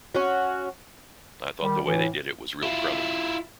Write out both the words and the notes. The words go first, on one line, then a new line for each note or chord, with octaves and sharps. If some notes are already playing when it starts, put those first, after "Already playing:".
I thought the way they did it was real crummy.
C#4 F#4
D#3 G3
A2 E3
E4 F4